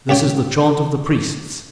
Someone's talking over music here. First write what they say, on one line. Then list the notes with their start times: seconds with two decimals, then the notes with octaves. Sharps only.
This is the chaunt of the Priests.
0.09 C#2 G4 C#5 G5